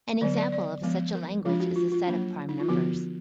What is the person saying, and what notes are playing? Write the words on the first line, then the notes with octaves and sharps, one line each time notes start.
An example of such a language is the set of prime numbers.
D3 F#3 B3 D5
D5
D5
F3 G#3 B3
A#4
F3 G#3 D4 F4
F#4
F4
F4
F#3 A#3 D4
D#4
F4
D3 F3 B3 F#4